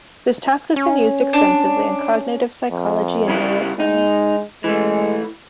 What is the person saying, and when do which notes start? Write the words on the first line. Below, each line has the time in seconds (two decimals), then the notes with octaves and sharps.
This task has been used extensively in cognitive psychology and neuroscience.
0.76 C#4
1.33 D4
2.71 F2
3.28 C#3 G3 E4
3.80 G#3 D#4
4.64 E3 G#3 A3